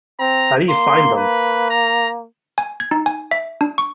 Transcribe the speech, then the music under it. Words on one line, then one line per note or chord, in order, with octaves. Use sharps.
How do you find them?
C4 A#5
A#3 C6
B4
A#5
G#5
G#6
D#4
G#5
E5
D4
C#6